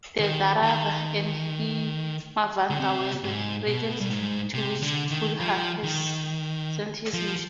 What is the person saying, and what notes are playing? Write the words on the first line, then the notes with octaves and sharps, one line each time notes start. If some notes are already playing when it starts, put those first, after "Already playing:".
The Darada and Himavanta were the regions to which Buddha sent his missionaries.
D#3
D#3
D3
C3
G#2
B2
G2
G#2
C3
D3
D#3
F3
D#3
F3